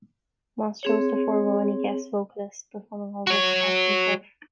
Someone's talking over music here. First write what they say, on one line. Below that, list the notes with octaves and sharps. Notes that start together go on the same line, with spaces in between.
Moss chose to forgo any guest vocalists, performing all vocal parts himself.
C4 G#4 C#5
F#4 C#5